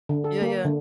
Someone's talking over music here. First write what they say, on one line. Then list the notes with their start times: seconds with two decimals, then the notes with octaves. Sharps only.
Yeah, yeah.
0.09 D3
0.24 A4
0.42 A#3
0.64 D3